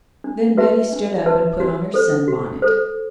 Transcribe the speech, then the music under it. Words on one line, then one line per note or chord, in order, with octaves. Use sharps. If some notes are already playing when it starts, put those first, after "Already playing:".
Then Betty stood up and put on her sunbonnet.
D4
F#4 B4 E5 A5
D4
F#4 B4 E5 A5
F#4
A4 C5
F#4
A4 C5